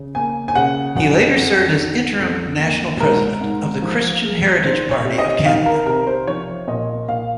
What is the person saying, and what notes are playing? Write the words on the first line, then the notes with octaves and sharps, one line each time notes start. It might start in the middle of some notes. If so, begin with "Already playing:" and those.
He later served as interim national president of the Christian Heritage Party of Canada.
Already playing: C#3
A#3 G#5
G#5
C#3 F#5
F#2 F#5
F2
D#3
F2
A#3
G#2 A#4
G#2
F3
G#3
D#3 C5
C#5
C3
D#5
D#3 F5
A#4
C3 A#4
C5
F3 C#5
A#2 D#5
A#2 F5